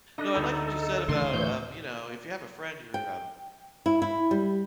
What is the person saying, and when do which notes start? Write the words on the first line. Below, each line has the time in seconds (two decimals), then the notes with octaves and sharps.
No, I liked what you said about, um, you know, if you have a friend, you're, um,
0.18 D4 D#4 A4 D#5 A#6
0.35 D2 D#4 A4 G5 B5
1.08 C#3 E3 A3 C6
1.34 A2 E3 C#5 G6
2.94 G5
3.86 E4
4.02 E4
4.31 G3